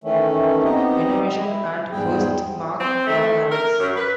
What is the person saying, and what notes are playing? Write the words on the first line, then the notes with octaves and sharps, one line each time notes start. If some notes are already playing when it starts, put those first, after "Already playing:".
Innovation and "firsts" marked Wanamaker's.
D#3 E3 A3 C#4
B3 C4 D#4 G4 D#5
E4
E2 G#2 G3 G#4 G5
C4
A3
A#4
F#2
B4